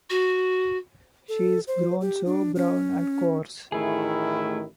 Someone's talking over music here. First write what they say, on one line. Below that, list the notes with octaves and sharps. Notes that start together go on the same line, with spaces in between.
She is grown so brown and coarse!
F#4
A4
C5
G4
D4
C#4
A1 D#3 A3 E4 G#4